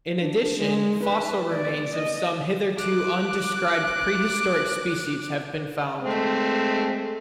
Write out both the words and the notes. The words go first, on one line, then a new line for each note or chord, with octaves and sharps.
In addition, fossil remains of some hitherto undescribed prehistoric species have been found.
D4
G#3
B4
D5
D#5
D6 F#6
G#3 A3 C4